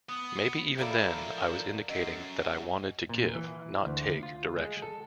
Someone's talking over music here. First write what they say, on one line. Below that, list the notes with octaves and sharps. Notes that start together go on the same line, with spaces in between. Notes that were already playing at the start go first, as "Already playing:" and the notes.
Maybe even then I was indicating that I wanted to give, not take, direction.
B3 D#6
F3 E4 A4 A#4 D5 E5 F5 B5
F#2 D#5 C7
A#2
E3
D2
F4
G#3
A4